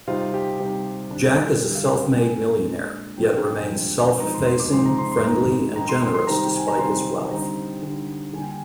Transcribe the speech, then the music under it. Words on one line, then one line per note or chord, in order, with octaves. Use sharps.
Jack is a self-made millionaire, yet remains self-effacing, friendly and generous despite his wealth.
C3 G3 C4 D#4 F4
G4
C3 G3 C4 D#4
D3 G3 D4
D3 G3 D4 G4
F5
F5
G5
A#2 G#3 D4 G#5
A#2 G#3 D4
C3 F3 G#3 D4 G5
F5
G5
C3 F3 G#3 D4
F3 G#3 C4 D#4 A#5
C6
C6
D6
F3 G#3 C4 D#4 C6
A#5
C6
C6
D#3 G#3 D#4 A#5
D#3 G#3 D#4 A#5
C6
C6
C6
C3 D#3 G3 C4 D#4 A#5
G5
G#5
A#5
C3 D#3 G3 C4 D#4 C6
D3 G3 C4 D#4 A#5
D3 G3 C4 D#4
D3 G3 A#3 D4 G#5
G5
G#5